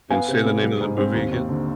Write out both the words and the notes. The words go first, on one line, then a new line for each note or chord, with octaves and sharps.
And say the name of the movie again.
B3 F5 G#5
C3
B3
G3
G#2
C4
D#2
D#2
D3